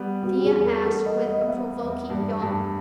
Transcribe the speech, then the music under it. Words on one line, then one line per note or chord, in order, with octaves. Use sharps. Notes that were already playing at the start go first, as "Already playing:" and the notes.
Thea asked with a provoking yawn.
Already playing: G3 B3
B3 F#4
G4
G#4
E2
A#4
B3 A4
D#5
B3
D#5
B3 E5
E2
G2
G2